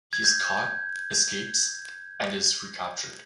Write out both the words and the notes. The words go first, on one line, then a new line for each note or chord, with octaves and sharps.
He is caught, escapes, and is recaptured.
G#6
G6